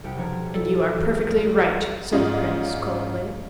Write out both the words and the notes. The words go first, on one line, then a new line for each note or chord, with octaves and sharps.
"And you are perfectly right," said the prince, coldly.
C2 G4 F#5 G5
B1 B2 F3 D4 C#5 A#5
E4 A4 D5
E3 F#3 G4 G#4 A#4
D2 G3 G#3 F4 A#4 D7
G#2 C#4 D4 F4 D#5